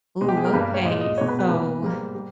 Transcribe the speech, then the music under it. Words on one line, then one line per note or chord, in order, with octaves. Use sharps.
Ooh, okay. So
B2 G#3
G4
G#4
A#4
G2 G3 A#3 B4
C#5
A#2 G#3 D#5
D#5
B2 G#3 C#5
B4
B4
B2 A#3 B4
G#2 G3 A#3
G3